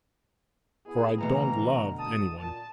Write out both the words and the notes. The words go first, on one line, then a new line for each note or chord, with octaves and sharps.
For I don't love any one.
B2 B3 E4 G#4
D2 B2 E3 A#5
A5 D#6
A#2 A5